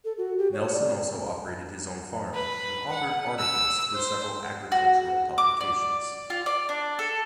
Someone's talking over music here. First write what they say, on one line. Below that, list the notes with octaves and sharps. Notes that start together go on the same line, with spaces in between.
Nelson also operated his own farm, and authored articles for several agricultural publications.
A4
F#4
G4
C#5
D5
B4
F#5
E6
C5
F#4
D6
D5
F4
D5
D4
A4